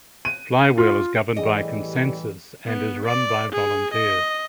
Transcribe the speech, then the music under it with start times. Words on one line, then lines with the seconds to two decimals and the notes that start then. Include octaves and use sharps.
Flywheel is governed by consensus and is run by volunteers.
0.25 D#7
0.78 F4
1.36 A2 E3 G3 G#4 D#5 G#5
2.66 B3
3.05 D5
3.52 G#4
3.93 D#5